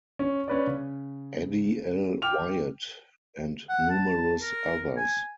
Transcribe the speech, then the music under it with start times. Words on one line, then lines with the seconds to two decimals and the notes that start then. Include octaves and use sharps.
Addie L. Wyatt, and numerous others.
0.19 C#4
0.48 C#4 B4 D5
0.67 C#3
2.22 G5 D6 F6 F7
3.69 F#5
3.90 A5
4.42 A#4
4.97 G#5